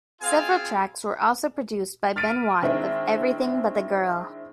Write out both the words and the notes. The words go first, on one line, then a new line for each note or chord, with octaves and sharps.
Several tracks were also produced by Ben Watt of Everything but the Girl.
C4 F4 G#4 F5 G#5
F6 A6 B6 D7 D#7
D#3 G#3 C4 D4 E4